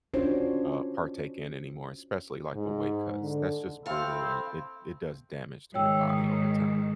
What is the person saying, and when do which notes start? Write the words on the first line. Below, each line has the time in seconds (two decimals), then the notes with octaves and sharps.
uh, partake in anymore, especially, like, the weight cuts, that's just brutal, and it it does damage to your body over time.
0.14 C#4 D4 F4 F#4 C5 C#5
2.55 G#2
3.22 D3
3.86 C4 E4 A4 C5 F5
5.74 G#2 D#3 C#5 G5 E6
6.09 D#6